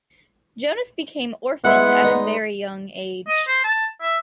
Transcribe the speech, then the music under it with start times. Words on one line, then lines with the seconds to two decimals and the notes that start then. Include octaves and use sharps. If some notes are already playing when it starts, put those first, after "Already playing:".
Jonas became orphaned at a very young age.
1.64 G#3 B3 E4 B4 D5 F#5
2.03 D#4
3.28 D#5
3.47 C5
3.64 A5
4.01 E5